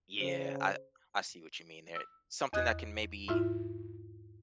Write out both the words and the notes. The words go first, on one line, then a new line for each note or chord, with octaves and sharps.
Yeah, I I see what you mean there. Something that can, maybe,
C#3 C5
E6
E2 D#5 D#6 F#6 G#6
G#2 E4 F4 E5